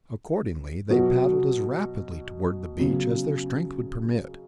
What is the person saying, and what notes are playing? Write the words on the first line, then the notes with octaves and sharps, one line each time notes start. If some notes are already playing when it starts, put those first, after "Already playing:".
Accordingly they paddled as rapidly toward the beach as their strength would permit.
B2 F#3 B3 F#4
C#3 F#3 B3